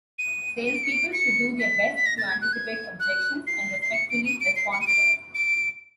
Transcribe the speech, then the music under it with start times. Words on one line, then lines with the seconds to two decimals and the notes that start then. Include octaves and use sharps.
Salespeople should do their best to anticipate objections and respectfully respond to them.
0.19 D#7
0.66 D#7
0.75 D7
0.84 C#7
0.92 D7
1.13 C#7
1.59 B6
1.96 B6
2.06 A#6
2.18 A6
2.29 G#6
2.41 F#6
2.53 G#6
3.00 F#6
3.47 C7
3.82 C7
3.94 C#7
4.10 D7
4.26 D#7
4.41 D7
4.56 C7
4.72 C#7
4.81 D#7
4.87 D7
5.34 D7